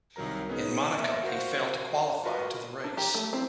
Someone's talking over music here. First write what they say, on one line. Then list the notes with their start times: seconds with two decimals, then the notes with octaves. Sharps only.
In Monaco he failed to qualify to the race.
0.16 C2 D#3 F#3 A#4 A#5
0.49 B3 C#4 D#4 G#4
0.98 A#3 A#4 D5 E5
1.23 F#4 A#4 C5 F5
2.24 F4 F#4 A#4 B4 D#5
2.84 D4
2.97 G4 A#5
3.15 A3
3.33 C4 E4